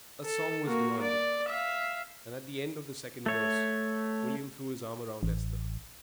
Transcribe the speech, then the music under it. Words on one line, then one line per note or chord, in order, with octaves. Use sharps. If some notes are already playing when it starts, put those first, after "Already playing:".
A song was demanded, and at the end of the second verse William threw his arm round Esther.
A4
A#3 F#4
D5
E5 F5
A3 C#5
A1